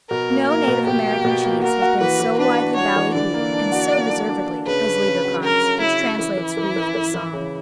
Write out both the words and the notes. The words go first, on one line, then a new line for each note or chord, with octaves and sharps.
No native American cheese has been so widely ballyhooed, and so deservedly, as Liederkranz, which translates "Wreath of Song."
B2 A#4
A#3
A#3 A#4
B2
B2 G4
A#3
B2
A#3
F#4 A#4
F#4
E3 B4
E3
D4 B4
F#4
F#4 C#5
E3
D3 D5
A#3
D4
F#4
A#3
D4
D4
D4
C#3 B4
C#4
C#3
F#3
C#4 A#4
C#3
C#3 E4
C#4
E3 E4
E3
E3
E3
E3
E3
C#3